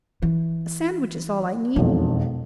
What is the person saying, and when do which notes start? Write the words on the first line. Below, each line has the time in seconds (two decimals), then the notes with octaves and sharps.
A sandwich is all I need.
0.22 E3
1.76 E1 B1 F2 B2